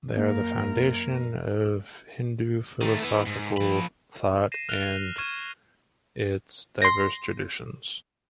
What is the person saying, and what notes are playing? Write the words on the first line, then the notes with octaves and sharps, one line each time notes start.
They are the foundation of Hindu philosophical thought and its diverse traditions.
F#2 A#3 A#4
D#3 A3
E3 B3
G#2
F3 B5
A#6 C7 D#7 E7
F6 F#6 F7 G7
C#6 F6 G#6 D#7 E7
C6 A#6